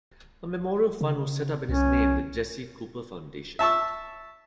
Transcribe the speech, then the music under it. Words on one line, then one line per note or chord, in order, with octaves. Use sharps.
A memorial fund was set up in his name, the Jesse Cooper Foundation.
C#3
C2 C#4
E5 A5 C#6 E6